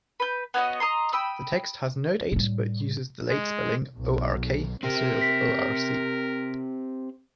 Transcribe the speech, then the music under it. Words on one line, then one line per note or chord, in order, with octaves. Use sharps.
The text has no date, but uses the late spelling "Ork" instead of "Orc".
B4 G6
B3 C#4 F#4 D#5
D#5 A#5 C6
G5 B5 D#6 E6
A2 G3
G#3
B1
C4 G4 A#4
B6